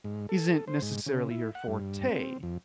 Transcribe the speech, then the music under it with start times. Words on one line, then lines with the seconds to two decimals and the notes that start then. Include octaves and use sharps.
isn't, necessarily, your forte.
0.04 G#2
0.29 A4
0.68 C5
0.82 G#2
1.06 C#3
1.31 E4
1.55 F#5
1.68 G2
2.09 C4
2.43 F2